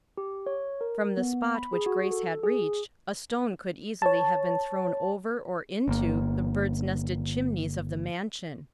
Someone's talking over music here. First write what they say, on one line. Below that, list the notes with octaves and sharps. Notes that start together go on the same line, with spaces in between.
From the spot which Grace had reached a stone could easily have been thrown over or into, the birds'-nested chimneys of the mansion.
G4
C#5
A#4
B3
B5
G#4
F#4
A4
G#4
C#5 A5
G1 A#3